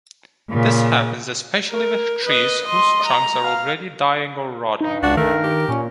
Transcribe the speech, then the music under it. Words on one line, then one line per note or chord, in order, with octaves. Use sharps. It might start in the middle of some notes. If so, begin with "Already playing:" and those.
This happens especially with trees whose trunks are already dying or rotting.
A#2 C#3
A#4
B4 D#5
D#5 C6
A#5
F5
G2 D#4
C#2 D4 F#4
D#3 A3 A#4
G4
A#2 C#4